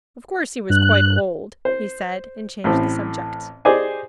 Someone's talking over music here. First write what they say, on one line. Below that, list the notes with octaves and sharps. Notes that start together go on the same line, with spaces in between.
"Of course he was quite old," he said, and changed the subject.
G2 F#6
C5
A1 A2 C4
G4 G#4 C5 D5 D#5 G#5